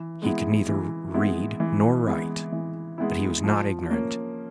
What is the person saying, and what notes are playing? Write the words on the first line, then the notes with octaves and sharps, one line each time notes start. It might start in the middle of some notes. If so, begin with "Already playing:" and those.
He could neither read nor write. But he was not ignorant.
Already playing: E3
G#3 B3 E4
E3
G#3 B3 E4
E3
G#3 B3 E4
E3
G#3 B3 E4
F3
A#3 C#4